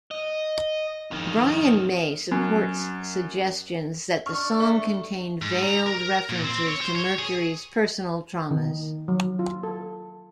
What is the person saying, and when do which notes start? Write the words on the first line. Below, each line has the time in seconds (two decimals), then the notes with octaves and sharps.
Brian May supports suggestions that the song contained veiled references to Mercury's personal traumas.
0.11 D#5
1.11 F2 D#3
2.31 F#2
4.26 D4 C#6 F6
4.60 A3
5.42 G#2
5.62 A#5
5.86 A#4
6.29 A#2
6.44 C4
6.67 C#5
6.81 C5
6.95 C#5
7.19 G#4
8.51 D#3
9.08 F#3
9.39 F4
9.63 A4